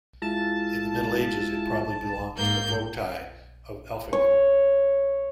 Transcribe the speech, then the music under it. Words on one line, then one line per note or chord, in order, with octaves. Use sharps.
In the Middle Ages it probably belonged to the vogtei of Elfingen.
G#3 E4 F4 A5
G#2 A#3 G6
C#5